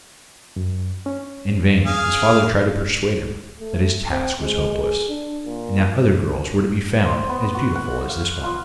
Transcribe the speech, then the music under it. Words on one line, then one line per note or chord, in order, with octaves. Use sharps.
In vain his father tried to persuade him that his task was hopeless, and that other girls were to be found as beautiful as this one.
F#2
C#4
G#4 F5
A3
C4
G#3
G#4
D4
A#2
C5
B3
F#4
F#5
F5
F4